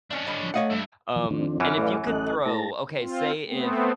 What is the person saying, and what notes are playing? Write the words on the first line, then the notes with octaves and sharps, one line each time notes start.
Um, and if you could throw okay, say if
A3 C#4 D4 C#5 D#5
D3 G3 D#5
F3
A3 C#5 D#5 F5 F#5
G2 E4
E3 F3
F2 D#3 C4 D4
F#2 E3 F6
A2 B4 D5 F5
A1 A4 D#5 F#6
A2 A5 A#6
C4 F4
A3 B3 C4